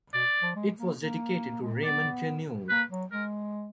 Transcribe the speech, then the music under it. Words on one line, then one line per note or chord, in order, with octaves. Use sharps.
It was dedicated to Raymond Queneau.
B2 D5
F3
G#3
A#3
A#3
G#3
A#3
B3 D5
A#3 B4
F#3
G#3 A#4